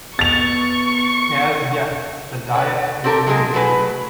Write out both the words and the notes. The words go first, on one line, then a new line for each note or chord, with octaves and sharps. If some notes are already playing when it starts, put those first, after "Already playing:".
As yet, the diet is in debate.
B3 C#6 A6 F7
B4 C#5 F#5
C4 G4 A4 A#4
F#3 G#3 A#3 G#4 A#4
F#3 A3 B4 G#5